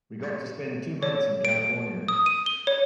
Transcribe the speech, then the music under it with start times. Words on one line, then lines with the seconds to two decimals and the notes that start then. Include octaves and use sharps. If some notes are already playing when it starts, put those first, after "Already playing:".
We got to spend two months in California.
1.03 C#5
1.45 D7
2.08 D#6
2.26 D#7
2.46 G7
2.67 C#5